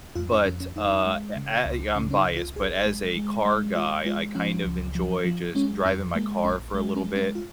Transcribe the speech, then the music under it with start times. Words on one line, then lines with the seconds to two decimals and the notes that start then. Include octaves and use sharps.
but, uh, e I I'm biased, but as a car guy, I kind of enjoy just driving my car for a little bit,
0.15 F2 F4
0.32 C#4
0.46 F2 C#4
0.60 C#4
0.76 F2 D#4
1.06 G#3
1.36 C#3
1.66 C#2
1.95 C#3 C#4
2.11 C#4
2.16 D#4
2.26 C#2
2.36 F4
2.55 G#1 G#4
2.86 G#3
3.16 G#3
3.45 G#3
3.75 G#3 F4
4.05 G#3 F4
4.35 F3 C#4
4.65 C#2
4.95 F3
5.25 F3
5.55 G#3 C#4
5.85 F2 C#4
6.15 G#3 A#3
6.45 A#1 C#4
6.75 G#3
6.96 C#4
7.05 G#3
7.16 C#4
7.35 F4